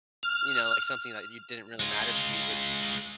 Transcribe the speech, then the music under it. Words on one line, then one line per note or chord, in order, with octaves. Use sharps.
you know, like, something that you didn't really matter to you, but
F6
G#3 F4